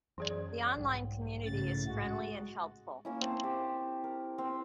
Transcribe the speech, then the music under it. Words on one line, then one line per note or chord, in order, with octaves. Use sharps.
The online community is friendly and helpful.
F#2 E3 G#4 D5
B1 G#2 G3
A2 C#3 A6
G#3 F#4
A#3 C#4 E4
C4 A5
G4
A#4
C4